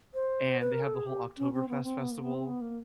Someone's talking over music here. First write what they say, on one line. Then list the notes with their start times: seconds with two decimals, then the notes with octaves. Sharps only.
and they have the whole Oktoberfest festival
0.14 C5
0.60 B4
0.72 A#4
0.83 A4
0.95 G#4
1.06 G4
1.38 C#4
1.53 C4
1.69 B3
1.84 C4
1.99 B3
2.11 A#3
2.22 B3
2.34 C4
2.46 B3
2.61 A#3